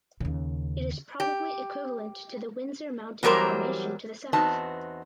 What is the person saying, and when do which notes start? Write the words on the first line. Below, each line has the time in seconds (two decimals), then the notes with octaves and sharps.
It is probably equivalent to the Windsor Mountain Formation to the south.
0.20 D#2 C#3
1.20 G4
3.23 E2 F#3 G3 A#4 C5
4.33 E2 B3 C4 D#4 F#4 A5